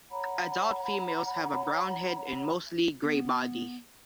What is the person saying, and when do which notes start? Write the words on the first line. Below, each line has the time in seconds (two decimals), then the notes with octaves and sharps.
Adult females have a brown head and a mostly grey body.
0.11 C#5 F#5 A#5 B5
3.02 B3